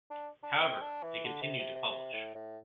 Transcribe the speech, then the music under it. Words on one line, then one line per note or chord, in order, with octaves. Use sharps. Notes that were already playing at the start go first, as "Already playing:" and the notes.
However, it continued to publish.
D4
D4
C4
D4
E3
D3
C3
C3
C3
C3
A2
A2